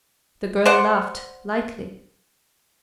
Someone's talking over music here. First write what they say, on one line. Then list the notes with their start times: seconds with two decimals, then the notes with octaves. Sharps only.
The girl laughed, lightly.
0.66 C5 D5 F#5